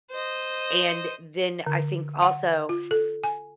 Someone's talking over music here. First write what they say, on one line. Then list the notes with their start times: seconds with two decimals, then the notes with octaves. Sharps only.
and then, I think also
0.11 C5 D#5
1.66 D3
2.22 F#5
2.69 F4
2.91 A4
3.24 G#5